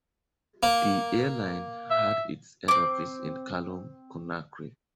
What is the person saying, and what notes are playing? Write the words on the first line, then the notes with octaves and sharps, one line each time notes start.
The airline had its head office in Kaloum, Conakry.
A#3
E5
C4 D6